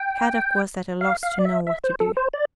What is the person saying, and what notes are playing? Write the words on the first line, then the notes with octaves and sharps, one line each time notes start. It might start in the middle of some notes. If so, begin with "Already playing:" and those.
Kadok was at a loss to know what to do.
Already playing: G5
F5
F5
D5
E5
E5
C5
A4
C5
D5